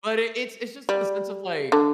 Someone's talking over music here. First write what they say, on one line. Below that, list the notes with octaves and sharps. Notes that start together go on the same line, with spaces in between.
But it it's it's just in the sense of, like,
G3
D3